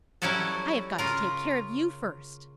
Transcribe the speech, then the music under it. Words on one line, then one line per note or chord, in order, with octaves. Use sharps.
I have got to take care of you, first.
F#3 G3 C#4 E4 F#4 A4
C#3 F4 A#4